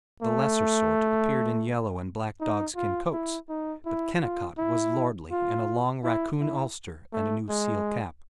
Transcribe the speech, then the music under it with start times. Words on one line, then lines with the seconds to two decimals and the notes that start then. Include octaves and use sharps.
The lesser sort appeared in yellow and black dogskin coats, but Kennicott was lordly in a long raccoon ulster and a new seal cap.
0.22 A3
2.40 D#4
2.76 F4
3.12 E4
3.49 D#4
3.85 E4
4.21 F4
4.58 E4
5.31 F4
6.04 E4
6.40 E4
7.12 A3
7.49 G#3